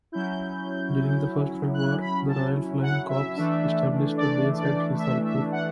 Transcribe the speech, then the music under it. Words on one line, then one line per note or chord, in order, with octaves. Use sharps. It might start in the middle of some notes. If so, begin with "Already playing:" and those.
During the First World War, the Royal Flying Corps established a base at Risalpur.
F#3 C#4 E4 G6
F#6
B5
A5
F#5
E5
E3 A3 D4
D5
D5
E5
E5
F#5